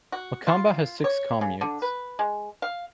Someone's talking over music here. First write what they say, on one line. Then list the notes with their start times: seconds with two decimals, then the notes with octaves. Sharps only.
Makamba has six communes.
0.12 F#4
0.47 F4
1.04 C#5
1.41 C#3
1.61 D3
1.82 B4
2.19 G#3
2.62 F5